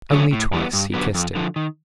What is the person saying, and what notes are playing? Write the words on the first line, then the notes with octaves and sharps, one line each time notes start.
Only twice he kissed him.
C#3 F#3 A3 C#4
A2
E3 G3 B3
G2
D3 F#3 B3
F2
D3 F3
D#3